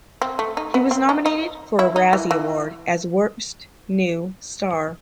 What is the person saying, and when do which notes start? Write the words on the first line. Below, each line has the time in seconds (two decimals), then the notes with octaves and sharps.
He was nominated for a Razzie Award as Worst New Star.
0.22 C4
0.39 A3
0.57 D#4
0.74 B3
0.91 C4
1.09 D#4
1.26 D#4
1.79 E4
1.96 D#4
2.13 E3
2.31 E3